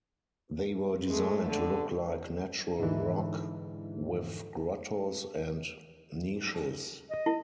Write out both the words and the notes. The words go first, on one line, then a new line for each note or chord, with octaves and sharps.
They were designed to look like natural rock, with grottos and niches.
G#3 A3
D3
G#2 D3 E3
D#5
E4